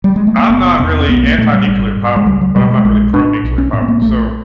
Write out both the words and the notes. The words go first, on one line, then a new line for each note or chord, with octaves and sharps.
I'm not really anti-nuclear power, but I'm not really pro-nuclear power, so
G3
G#3
A3
A#3
F#1 B3
E2 C3 C4
B1 B3
A#3
A#2 A3
G3
G#1
G#2
G#3
C#2 G3
F#3
B2 G3
G#3
A#1 G#3
A2 D4
B1
C#4
A2 C4
B3
A#3
A#1 A3